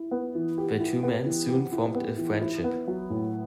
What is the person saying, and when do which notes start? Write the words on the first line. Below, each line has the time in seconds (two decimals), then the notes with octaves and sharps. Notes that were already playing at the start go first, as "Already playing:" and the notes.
The two men soon formed a friendship.
Already playing: E4
0.11 B3
0.35 E3
0.58 G4
0.80 E4
1.03 B3
1.26 E3
1.49 G4
1.72 E4
1.95 B3
2.18 E3
2.41 E4
2.64 B3
2.88 F#3
3.10 A2